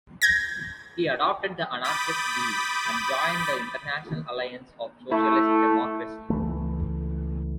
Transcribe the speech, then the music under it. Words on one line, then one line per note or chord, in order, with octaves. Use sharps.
He adopted the anarchist these and joined the International Alliance of Socialist Democracy.
G6 G#6 A#6
B5 D6 D#6 G6 A6 B6
A3 E4
C#2 E3 A3